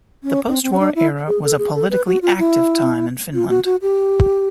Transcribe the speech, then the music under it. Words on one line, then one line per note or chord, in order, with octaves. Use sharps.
The post-war era was a politically active time in Finland.
C#4
C4
C4
C#4
D4
E4
G#4
A4
G#4
A4
B4
F#4
F4
E4
F4
F#4
F#4
G4